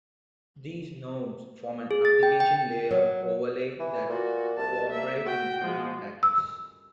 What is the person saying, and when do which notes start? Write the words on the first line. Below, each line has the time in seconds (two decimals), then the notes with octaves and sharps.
These nodes form an application layer overlay that cooperate in routing packets.
1.91 G#4
2.05 A6
2.23 G5
2.40 G5
2.91 F#3
3.80 E3
4.10 A#2 F#4
4.57 C2 A5
4.90 A#3 E5
5.26 F#4 G5
5.62 F3 G#3
6.23 E6